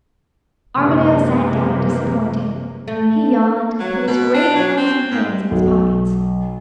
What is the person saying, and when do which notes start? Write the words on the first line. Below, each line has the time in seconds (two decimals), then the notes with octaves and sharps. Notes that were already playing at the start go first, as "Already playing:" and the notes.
Armadale sat down disappointed; he yawned, and put his great clumsy hands in his pockets.
0.77 F#2 C3 E3 G#3 A#3
2.88 A3
3.80 F#3
4.08 B2
4.34 D4
4.55 F#3
4.77 C4
5.11 G#2
5.51 B1